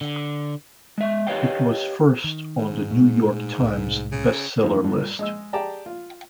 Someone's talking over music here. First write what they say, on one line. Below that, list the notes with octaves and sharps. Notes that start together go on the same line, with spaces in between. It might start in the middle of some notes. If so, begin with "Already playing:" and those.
It was first on the "New York Times" Best Seller list.
D3
G#3 E5
G4 B4 C#5 D#5 F5 G5
D#3
G#2
A#2 G#3 A3
C2 A2 G#3
C#3
F2 A2 D#3
G2 A#2 A3
G#3 D#5 E6
G4 G#4 D5 G5 A5 A#5
F4